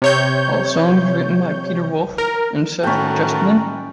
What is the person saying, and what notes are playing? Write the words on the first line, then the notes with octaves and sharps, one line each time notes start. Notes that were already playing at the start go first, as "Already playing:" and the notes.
All songs written by Peter Wolf and Seth Justman.
C3 C#5 G6
A#4
A2 D#3 A3 C#4 F#4 A#4 G5